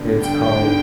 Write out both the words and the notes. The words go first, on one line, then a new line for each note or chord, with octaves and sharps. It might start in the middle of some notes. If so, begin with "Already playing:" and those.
it's called
Already playing: G2 D3 G3 B3
G5